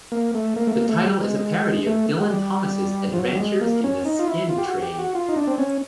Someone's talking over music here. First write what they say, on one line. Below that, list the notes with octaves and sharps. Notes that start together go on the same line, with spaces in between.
The title is a parody of Dylan Thomas's "Adventures in the Skin Trade".
A#3
A3
A#3
A3
A#3
A3
G3
G#3
A3
G#3
G3
F3
F#3
G3
G#3
A#3
C#4
D#4
F4
E4
F4
G4
F#4
G4
F#4
F4
D#4
D4
C4
C#4